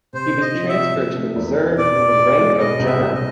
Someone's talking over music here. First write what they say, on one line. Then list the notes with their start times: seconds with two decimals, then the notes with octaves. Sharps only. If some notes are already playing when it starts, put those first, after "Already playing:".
He was transferred to the reserve with the rank of general.
0.13 C3 C5
0.34 C3
0.41 D#5
0.54 F3
0.69 E5
0.75 C3
0.96 C3
1.16 A3
1.36 E2
1.57 E2
1.78 B2 D5
1.99 B2
2.19 B2
2.39 G#3
2.60 B2 D#5
2.80 C2
2.86 E5
3.00 C2
3.15 D#5